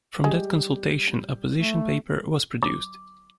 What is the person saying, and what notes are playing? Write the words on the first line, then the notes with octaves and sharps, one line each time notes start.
From that consultation a position paper was produced.
G3 G#3 G4
A3
D6